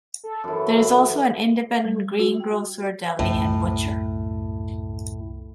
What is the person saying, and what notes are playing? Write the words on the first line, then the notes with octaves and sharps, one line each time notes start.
There is also an independent green-grocer, deli and butcher.
A4
F#2 E3
G3
F#4
G5
C2 F#2 A2